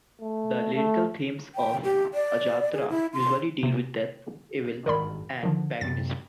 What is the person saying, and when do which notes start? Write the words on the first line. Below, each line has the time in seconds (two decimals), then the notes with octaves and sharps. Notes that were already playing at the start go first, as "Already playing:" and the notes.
The lyrical themes of "Ajattara" usually deal with death, evil and paganism.
0.20 A3
0.75 A3
1.55 G5
1.84 G4
2.14 D5
2.73 G#4
2.90 E4
3.13 C6
3.63 C3
4.86 G#1 G2 D#3 A#4 D5 B5
5.43 D3 D#3 F3
5.81 F#2 C3 B3 A6